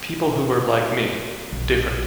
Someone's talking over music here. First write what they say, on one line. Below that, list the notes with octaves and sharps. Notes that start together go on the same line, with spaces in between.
People who were like me, different ...
B1